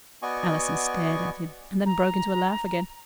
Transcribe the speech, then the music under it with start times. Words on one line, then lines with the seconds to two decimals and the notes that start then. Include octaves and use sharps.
Allison stared at him, and then broke into a laugh again.
0.22 B3 F#4 D5 D#5 G#5 C#6
1.86 A#5